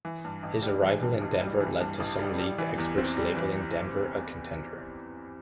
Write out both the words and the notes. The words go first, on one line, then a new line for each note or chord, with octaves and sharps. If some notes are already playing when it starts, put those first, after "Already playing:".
His arrival in Denver led to some league experts labeling Denver a contender.
E3
G2
A1
G3
E3
G2
A1
G3
E3
G2
A1
G3
G3
E3
E2
C4
G3
E3